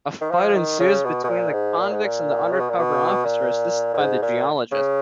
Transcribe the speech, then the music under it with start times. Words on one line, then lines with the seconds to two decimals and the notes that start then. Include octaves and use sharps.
A fight ensues between the convicts and the undercover officer, assisted by the geologist.
0.21 D#3
0.31 F3
0.55 D#3
0.80 C#3
1.05 B2
1.24 B2
1.29 A#2
1.53 G#2
1.78 A#2
1.91 G#2
2.04 A#2
2.52 C#3
2.60 B2
2.69 A#2
2.78 B2
3.25 A#2
3.94 A#2
3.97 G#2
4.22 A#2
4.72 C#3